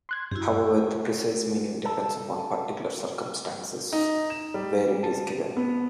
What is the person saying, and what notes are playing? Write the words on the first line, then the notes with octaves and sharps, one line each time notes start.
However, the precise meaning depends upon the particular circumstances where it is given.
C6 F#6 G#6
G2 E4 F#4 G4
A4
D#4
E7
G3
A5
B3